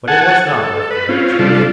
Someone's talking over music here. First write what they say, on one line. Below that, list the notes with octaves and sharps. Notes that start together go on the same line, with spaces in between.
But it was not left for her to choose.
F#5 G#5 A5
A4
B4
C4 C#4 F4
C3 G3 D4 F4 A4